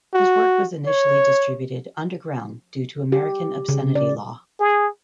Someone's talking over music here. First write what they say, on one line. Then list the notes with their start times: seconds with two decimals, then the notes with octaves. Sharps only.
His work was initially distributed underground due to American obscenity law.
0.14 F#4
0.86 C#5
3.12 G4
3.69 C#3
3.95 D5
4.60 G#4